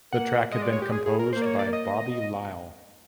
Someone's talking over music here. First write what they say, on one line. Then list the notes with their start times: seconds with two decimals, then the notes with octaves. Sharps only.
The track had been composed by Bobby Lile.
0.13 A#3 F#5
0.52 G#3 D#5
0.62 D5
0.73 C#5
0.82 G4
0.92 G#4
1.06 G#4
1.19 A#4
1.33 A#3 C5
1.42 D5
1.46 C#5
1.59 D5
1.73 D#5